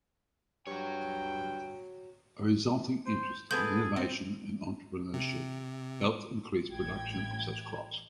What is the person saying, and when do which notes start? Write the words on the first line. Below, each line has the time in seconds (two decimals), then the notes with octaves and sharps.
A resulting interest in innovation and entrepreneurship helped increase production of such crops.
0.67 G2 F#4 C#5 G5
3.06 C5
3.51 G#3 B3 G#4 A4 B4 G6
3.96 C4 C5
5.14 C3
6.70 A1 A2 G5 G#6